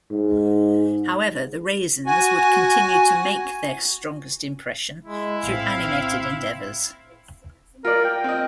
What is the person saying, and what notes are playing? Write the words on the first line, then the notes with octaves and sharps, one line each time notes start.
However, the Raisins would continue to make their strongest impression through animated endeavors.
G#2
F#4 G#5
G#3 E4
A#1 A2 C4 F5
F4 A#4 D5
G5
C4 D#5